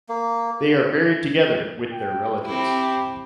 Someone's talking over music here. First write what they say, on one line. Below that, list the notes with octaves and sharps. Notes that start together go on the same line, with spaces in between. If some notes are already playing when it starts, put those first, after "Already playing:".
They are buried together with their relatives.
A#3
G5
C4 E4 G4